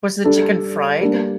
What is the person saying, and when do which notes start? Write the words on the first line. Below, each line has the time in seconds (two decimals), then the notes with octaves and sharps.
Was the chicken fried?
0.24 G3 D4 A4
1.01 G3 A#3 D4